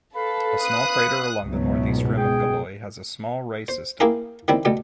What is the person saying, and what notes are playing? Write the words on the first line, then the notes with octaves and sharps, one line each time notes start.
A small crater along the northeast rim of Galois has a small ray system.
A4 B4 F5 B5
D#6 F#6
C#2 G#2 B2 F#3 A3
G#4 G5
C5
A#3 E4 G4 G#4 A#4
D#3 G3 C4 E4
B2 G3 A3